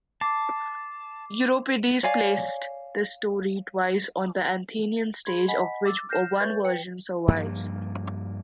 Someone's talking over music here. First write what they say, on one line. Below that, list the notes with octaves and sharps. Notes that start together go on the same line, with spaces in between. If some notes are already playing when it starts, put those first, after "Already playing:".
Euripides placed this story twice on the Athenian stage, of which one version survives.
A5 D6 C7
C#5 D5 F5 G#5
G#4 B5 C6 G#6
D#5 F#5 G#5 B5 B6
D6 E6 A6
F6 G6 A#6 C7 E7
B4 C#5 E5 C#6 G6 A6
B4 G5 C#7
G2 F3 A#3